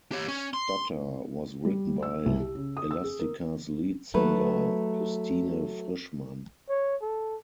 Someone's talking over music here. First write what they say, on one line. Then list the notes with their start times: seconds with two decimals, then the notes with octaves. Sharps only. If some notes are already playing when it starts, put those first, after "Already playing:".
"Stutter" was written by Elastica's lead singer, Justine Frischmann.
0.12 G4 C#5
0.28 C#4
0.54 C6
1.65 G3
2.03 E6
2.26 C2
2.40 G4
2.55 C#3
2.77 D#6
2.91 E6
3.04 G#4
3.19 A#4
4.14 F#3 A3 B4
6.69 C#5
7.02 A4